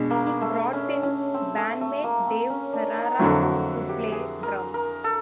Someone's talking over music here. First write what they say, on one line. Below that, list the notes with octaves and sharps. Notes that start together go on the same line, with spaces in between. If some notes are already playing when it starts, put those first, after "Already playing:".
He brought in bandmate Dave Ferrara to play drums.
Already playing: B2 G#3 B3 D4
A#3
A3
C#4
C#4
C4
A3
A3
A#3
C4
C#4
D4
D#4
F2 D3 F#3 E4
F#4
G4
G#4
A#4
A#4
A4